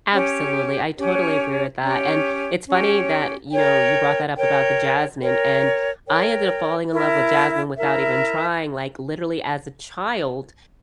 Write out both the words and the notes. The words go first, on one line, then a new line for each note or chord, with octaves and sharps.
Absolutely. I totally agree with that, and it's funny that you know, you brought that up about the jasmine and I ended up falling in love with jasmine without even trying, like literally as a child.
C#4 G4 C#5
C#4 G4 C#5
C#4 G4 C#5
C#4 G4 C#5
A#4 C#5 G5
A#4 C#5 G5
A#4 C#5 G5
A#4 C#5 G5
E4 A#4 E5
E4 A#4 E5